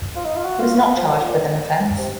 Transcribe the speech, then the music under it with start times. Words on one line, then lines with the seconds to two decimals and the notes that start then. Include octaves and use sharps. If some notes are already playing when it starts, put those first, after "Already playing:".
He was not charged with an offense.
0.16 F4
0.25 D#4
0.36 F4
0.45 F#4
0.60 F4
0.76 F4
0.96 F3
1.06 D#3
1.22 A#2
1.98 C3